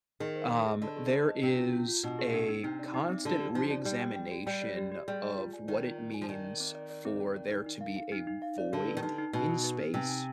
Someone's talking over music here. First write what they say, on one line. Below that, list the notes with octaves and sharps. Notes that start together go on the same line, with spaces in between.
um, there is a constant re-examination of what it means for there to be a void in space,
D#3 G#4
C5
D#5
G#4
D3 D#5
G#4
C5
D#5
C3 D4
F4
F4
F4
B2 D4
G#4
D4
D4
C3 D#4
D5
D#4
C4
D3 G4
G4
F3 D#4
D5
G3 G4
G5
G5
G4
G3 G5
D5
G4
G4
G3 G#4
G#4
F4
G#5
D#3 D5
F4
D5
G#5
F3
D#3 D5
D5
C4
D5
D5
C4
G5
D5
D#4
D#4
F5
F5
D#4
D#4
F5
D5
D3 G4
B4
D#3
D3 D#4
D#4
B2 D#4
B4
B4
D#4
C3 G#5
G#5